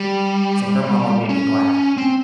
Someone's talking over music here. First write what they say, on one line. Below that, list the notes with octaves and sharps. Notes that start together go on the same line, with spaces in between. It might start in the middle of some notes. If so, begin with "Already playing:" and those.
So, her mamma will be glad.
Already playing: G3
C#4
C4